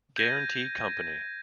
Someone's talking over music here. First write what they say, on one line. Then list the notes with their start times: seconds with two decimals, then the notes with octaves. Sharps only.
Guarantee Company.
0.17 G6 G#6 A#6 D#7